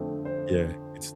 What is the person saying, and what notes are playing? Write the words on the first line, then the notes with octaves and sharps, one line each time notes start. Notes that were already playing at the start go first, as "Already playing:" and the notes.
yeah, it's
Already playing: F2 D3 A3 C4
C5